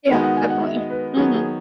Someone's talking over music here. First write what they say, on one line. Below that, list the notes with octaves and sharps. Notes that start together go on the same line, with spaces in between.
Yeah. Definitely. Mhm.
D#3 G#3 B3 D#4 F#4 G#5
F#5
G#5
F#5
E5
D#5
B4
D#3 F#3 B3 G#4
G#4